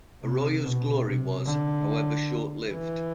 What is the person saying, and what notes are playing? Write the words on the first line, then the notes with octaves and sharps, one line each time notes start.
Arroyo's glory was, however, short-lived.
C3
B2
C3
D3
E3